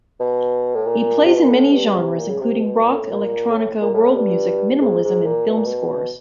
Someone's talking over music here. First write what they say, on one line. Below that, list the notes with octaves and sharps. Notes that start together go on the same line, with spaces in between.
He plays in many genres, including rock, electronica, world music, minimalism and film scores.
B2
A2
A#2
C3
B2
A#2
A2
G2
C3
A#2
C#3
C3
B2
A#2
A2
A#2
A2
A#2
A2
G2
G#2
G#2
A#2
B2
A#2
B2